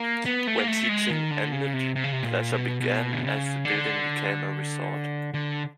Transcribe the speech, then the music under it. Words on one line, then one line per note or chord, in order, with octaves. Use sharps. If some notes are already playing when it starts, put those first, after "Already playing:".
When teaching ended, pleasure began as the building became a resort.
Already playing: A#3
B3
A3
A#3
A3
G#3
D#3
D3
C#3
C3
C3
C#3
C3
A#2
B2
B2
D3
C#3
D3
D3